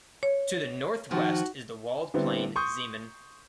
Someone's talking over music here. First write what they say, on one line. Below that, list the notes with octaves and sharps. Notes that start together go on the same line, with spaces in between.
To the northwest is the walled plain Zeeman.
C#5
D#3 F3 F4 F#4
D3 G3 B3 C4 E4
C6 C#6 D#6 G6